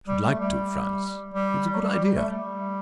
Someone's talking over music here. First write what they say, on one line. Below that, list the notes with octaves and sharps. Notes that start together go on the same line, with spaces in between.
I should like to, Frantz; it's a good idea.
G3
A3
G3
G3
F#3
G3
G3
G3
A3
G3